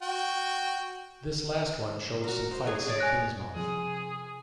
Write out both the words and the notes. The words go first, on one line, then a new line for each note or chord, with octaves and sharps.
This last one showed some fights in Kingsmouth.
F#4 G5
F#4 A#4
C5
F#3 G#4
G#4 C#5 D5
G#5 F#6 A#6
C3 F3 G#4